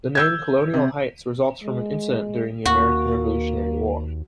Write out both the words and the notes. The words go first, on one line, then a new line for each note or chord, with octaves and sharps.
The name "Colonial Heights" results from an incident during the American Revolutionary War.
E6 G6 G#6
C3
G#3
D#2 A#3 F#4